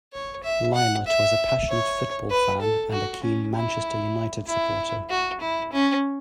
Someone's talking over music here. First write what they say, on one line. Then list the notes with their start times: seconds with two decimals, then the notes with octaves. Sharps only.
Lynott was a passionate football fan, and a keen Manchester United supporter.
0.13 C#5
0.43 E5
0.75 F#5
1.07 E5
1.69 C#5
2.31 B4
2.61 A4
2.92 F#4
3.23 C#4
3.55 E4
4.47 E4
5.10 F#4
5.41 E4
5.72 C#4